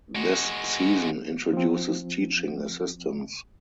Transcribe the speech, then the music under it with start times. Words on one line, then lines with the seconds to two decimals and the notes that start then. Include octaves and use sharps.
This season introduces teaching assistants.
0.15 G#3 F#4
1.53 F3 C4